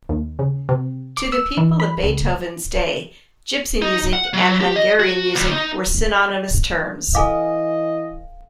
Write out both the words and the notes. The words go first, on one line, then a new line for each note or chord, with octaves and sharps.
To people of Beethoven's day, "gypsy music" and "Hungarian music" were synonymous terms.
D#2
C#3
C3
D6
E6
E3
B5
C#2
D#4
F#5
F#3
G4
D#5
F#4
D2
D#4
E3 A4 D#5 F5 G#5 D6